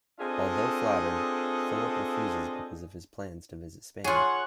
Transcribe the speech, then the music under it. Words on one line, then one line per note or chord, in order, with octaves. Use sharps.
Although flattered, Philip refuses because of his plans to visit Spain.
C4 D4 F4 G#4 A4 D#5
F4 G#4 C#5 F#5